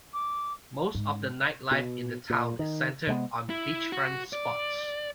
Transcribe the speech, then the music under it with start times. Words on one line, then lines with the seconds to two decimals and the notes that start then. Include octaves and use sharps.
Most of the nightlife in the town is centred on beachfront spots.
0.14 D6
0.95 G#2
1.71 B2
2.30 A#2
2.59 D#3
3.07 C3 G#3 A3 B3
3.50 E4
3.92 F#4
4.33 D5